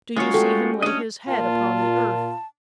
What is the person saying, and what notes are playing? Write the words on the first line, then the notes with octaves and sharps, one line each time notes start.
Do you see him lay his head upon the earth?
F#3 G#3 C#4 F4 C#5
A3 F#4 G4 A4
C#4 D4 C#5 D#5
A#2 F4 A5